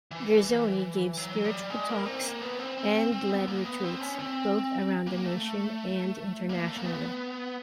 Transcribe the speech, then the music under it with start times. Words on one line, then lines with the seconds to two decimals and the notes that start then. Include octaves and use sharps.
Girzone gave spiritual talks and led retreats, both around the nation and internationally.
0.11 E3
1.17 F#3
1.45 G3
1.70 G#3
1.89 A#3
2.06 C4
2.23 A#3
2.41 B3
2.59 C4
2.78 C4
2.95 C4
3.12 C4
3.30 B3
3.47 A#3
3.65 B3
3.84 C4
4.01 C#4
4.19 C4
5.07 A#3
5.25 A3
6.49 A#3
6.67 A3
6.77 A#3
6.84 B3